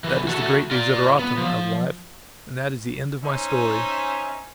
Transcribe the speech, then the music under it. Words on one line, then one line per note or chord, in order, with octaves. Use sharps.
That is the great desideratum of life, and that is the end of my story.
D3 E3
F#4 A4 E5
F4 D5
B3
F3
C#4 D#4 C5 E5 G#5